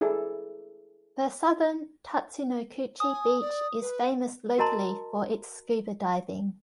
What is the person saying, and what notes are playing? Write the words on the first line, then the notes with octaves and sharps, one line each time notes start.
The southern Tatsunokuchi beach is famous locally for its scuba diving.
E4 G#4 A4 D5
G#5 D#6
D5
B4
F#4 A#4 D#5 A5 A#5 C6